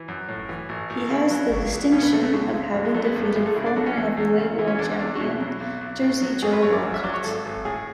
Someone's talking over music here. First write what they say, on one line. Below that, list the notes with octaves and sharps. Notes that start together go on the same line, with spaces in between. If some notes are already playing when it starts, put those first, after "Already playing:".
He has the distinction of having defeated former heavyweight world champion Jersey Joe Walcott.
Already playing: E3
F#2
A2
E3
A1
A1
C#3 E4
F#3
C#2
C#2
B2 C#4
B3
F#3 A3
A3
C#2 G#3
C#2
G#2 F#3
G#3
F#3 A3
B3
G#1 A3
A3
G#1 G#3
A3
C#3 E4
D4
F#3 A3
C#4
E2
E2
C#3
E3
C#4
E2 D4
E2 D4
F#4
B2 E4
F#3
B1
B1
A2
F#3
A1 G#4
B4
A1 C#5
D5
G#2
E5
F#3 D5
C#5
G#1 A4
G#1
A2 G#4